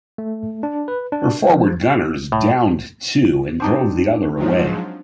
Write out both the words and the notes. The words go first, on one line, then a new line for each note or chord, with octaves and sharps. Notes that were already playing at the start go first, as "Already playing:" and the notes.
Her forward gunners downed two and drove the other away.
A3
D4
B4
D4
F3
A2
C4 D4 D#4
G#2 F3 F#3